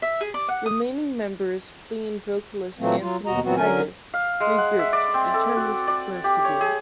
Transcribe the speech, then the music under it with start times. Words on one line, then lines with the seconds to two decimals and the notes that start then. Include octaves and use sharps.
Remaining members Flea and vocalist Anthony Kiedis regrouped, determined to persevere.
0.02 E5
0.21 G#4
0.34 D5
0.49 F#5
0.66 D#6
2.79 A#2 E3 F#3 A3 A#3 C4
3.00 F#3 F4
3.26 D#2 B2 F#4 D#5 A#5
3.43 A#2 E3 F#3 B3 C4 F#4
3.56 D3 F#3 C#4 A#4 G#5
4.14 F5
4.40 G#3
4.58 F#5
4.79 E5
4.93 D5
5.14 C4
5.34 A4
5.56 F#4
5.87 D5
6.24 G4
6.44 C#5
6.61 G#4